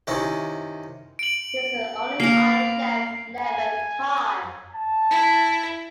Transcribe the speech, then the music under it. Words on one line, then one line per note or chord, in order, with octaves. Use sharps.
He is the only Iron Chef never to tie.
C3 D#3 C#4 E4
D7 F#7
A#3 A#4 C7 F7
G#5
A5
E4